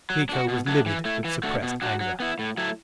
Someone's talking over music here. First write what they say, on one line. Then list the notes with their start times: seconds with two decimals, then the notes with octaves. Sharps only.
Miko was livid with suppressed anger.
0.10 F#3
0.29 D4 F#4
0.48 B2
0.68 F#3 A3 D4
0.86 E3
1.05 A3 E4
1.24 E3
1.43 A3 D4 F#4
1.62 B2
1.82 F#3 D4 F#4
2.01 F#3
2.20 B3 E4
2.39 A2
2.58 F#3 A3 E4